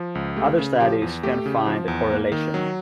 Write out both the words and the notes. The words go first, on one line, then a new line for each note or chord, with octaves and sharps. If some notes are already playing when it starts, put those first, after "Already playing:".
Other studies can't find a correlation.
Already playing: F3
C#2
A3 G4
C#3
F3 G4
E2
A3 G4
C#3
F3
E2
A#3
D#3
F#3